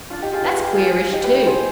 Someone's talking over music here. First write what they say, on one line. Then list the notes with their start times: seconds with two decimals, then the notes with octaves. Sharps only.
That's queerish, too.
0.10 D4 F4
0.22 D#4 G4
0.33 F4 G#4
0.44 B4
0.55 G#4
0.64 G4
0.74 F4 G#4
1.12 D#4 G4
1.24 G4 B4
1.46 G#4 C5